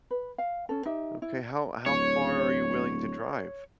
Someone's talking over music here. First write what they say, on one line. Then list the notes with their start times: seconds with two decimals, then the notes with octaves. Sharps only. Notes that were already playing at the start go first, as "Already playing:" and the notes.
Okay. How how far are you willing to drive?
0.11 B4
0.38 F5
0.69 C#4 A4
0.86 D#4 G4 E5
1.22 E4
1.86 D1 C#5